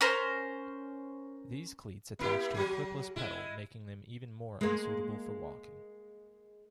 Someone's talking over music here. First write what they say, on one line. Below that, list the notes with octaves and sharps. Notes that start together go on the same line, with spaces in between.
These cleats attach to a clipless pedal making them even more unsuitable for walking.
C#4 A#4 C5
A#3 E4 G4
F#3 G#4
G#3 E4
G#3 A#3